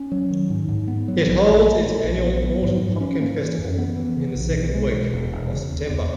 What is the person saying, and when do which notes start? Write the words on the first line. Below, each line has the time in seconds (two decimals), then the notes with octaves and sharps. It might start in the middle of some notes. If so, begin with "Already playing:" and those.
It holds its annual Morton Pumpkin Festival in the second week of September.
Already playing: C#4
0.12 F#3
0.31 D#3
0.50 G#2
0.69 G#2
0.88 B3
1.08 F#3
1.27 A#1
1.46 A#1
1.65 A#3
1.85 A#2
2.04 A#1
2.24 B3
2.43 F#3
2.62 G#2
2.82 G#2
3.00 C#4
3.20 A#3
3.40 E3
3.58 F#2
3.78 B3
3.97 E3
4.17 C#3
4.36 B1
4.55 B1
4.74 G#3
4.93 B2
5.13 E1
5.32 E1
5.52 C#3
5.71 D#2
5.90 E2